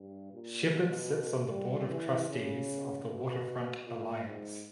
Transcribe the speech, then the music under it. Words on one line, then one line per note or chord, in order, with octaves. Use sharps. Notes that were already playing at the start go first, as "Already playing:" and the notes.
Shepard sits on the Board of Trustees of the Waterfront Alliance.
Already playing: G2
A#2
B2
G3
E3
C#3
B2
A#2
G#2